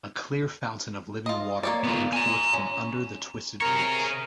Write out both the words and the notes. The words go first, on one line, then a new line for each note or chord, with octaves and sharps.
A clear fountain of living water bubbled forth from under the twisted roots.
F4 D#5
A#3 C#5 D5
B3 F4
G#5 A#5
C#4
C3 G#4 A#4 C#5 A#5